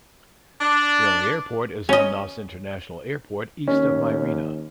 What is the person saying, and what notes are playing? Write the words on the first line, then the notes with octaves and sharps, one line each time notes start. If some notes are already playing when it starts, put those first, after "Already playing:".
The only airport is Lemnos International Airport, east of Myrina.
D4
C#4 D#5
D#2 C#4